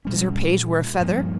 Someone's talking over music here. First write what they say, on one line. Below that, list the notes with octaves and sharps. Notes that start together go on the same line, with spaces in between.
Does her page wear a feather?
A#2 G3 C#4
G2 F3 A#3